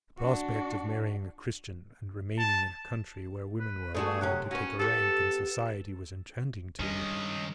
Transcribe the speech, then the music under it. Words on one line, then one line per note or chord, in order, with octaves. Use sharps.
The prospect of marrying a Christian and remaining in a country where women were allowed to take a rank in society was enchanting to her.
D4 F#4
A5
B4
A3 D4 F#4 G#4
F#2 C3 C#4 F#5
C#4 F#4 B4
B3 G4 A4
G2 D#3 G#3 C#4 D#5